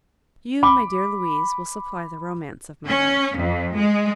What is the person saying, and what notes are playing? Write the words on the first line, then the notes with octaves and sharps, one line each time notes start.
You, my dear Louise, will supply the romance of my life.
B5 D6
C#4
F2
G#3